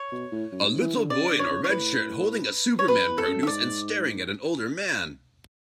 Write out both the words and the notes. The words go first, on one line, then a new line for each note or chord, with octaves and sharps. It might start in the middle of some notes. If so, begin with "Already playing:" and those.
A little boy in a red shirt holding a superman produce and staring at an older man.
Already playing: C#5
B2
A2
F#2
G#2
E3
D3
C#3 D5
D3
C#5
C#3
C#5
A2 B4
C#5
F#2 B4
E2
A4
F#2
E5
G#2 D5